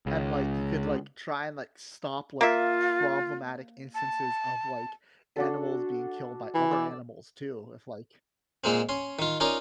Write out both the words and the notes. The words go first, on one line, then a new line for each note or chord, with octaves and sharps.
and, like, you could, like, try, and, like, stop, like, problematic instances of, like, animals being killed by other animals too, if, like
C#2 C#3
A#3 F4 E5
A5
D4 F#4 A4
E3
D5 E6
A#2 G#3 A#3 C4
C#4 C6
D#3 F4
C#4 D#4 F4 A#4 D5 A#5